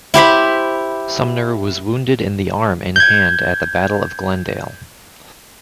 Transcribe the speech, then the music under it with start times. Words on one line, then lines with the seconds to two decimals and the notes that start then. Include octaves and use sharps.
Sumner was wounded in the arm and hand at the Battle of Glendale.
0.14 E4 G4 C5 B5
2.96 G6 G#6